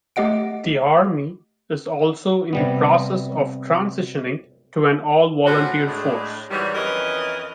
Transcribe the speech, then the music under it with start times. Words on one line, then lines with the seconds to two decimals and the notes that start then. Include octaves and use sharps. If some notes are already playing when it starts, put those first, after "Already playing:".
The Army is also in the process of transitioning to an all volunteer force.
0.16 A3 G4 D#5 F#5 D7
2.53 C3 G3 B3
5.45 A2 D3 C4 C#4 F4 F#4
5.86 A2 G#3 D4
6.50 G#2 D#3 E3 F#3 G3
6.75 F2 E3 C#4 A#4 D#5